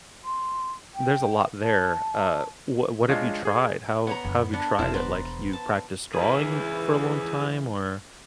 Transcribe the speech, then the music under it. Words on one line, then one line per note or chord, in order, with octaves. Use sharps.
there's a lot there, uh, wha what have you tried? How how have you tried it? Like, you practiced drawing for a long time? Or
C6
G5
A5
G#3 D4 F4 C#5 D#5
G#4
B3 C#5 A#5
F#2 D3
B3 D4
E1 E2 F3 C4 E4
B3 B4 C5 D5 A#5
A5
G#2 C#3 E3 G#4 B4